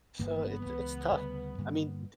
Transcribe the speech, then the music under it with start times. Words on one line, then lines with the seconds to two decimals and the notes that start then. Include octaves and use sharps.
So it's it's tough. I mean, d
0.19 G1 G2 E3 A#3 B3
0.65 C#2 C#3 E3
1.12 D2 C#3 G3
1.58 G2 D3 G3 A#3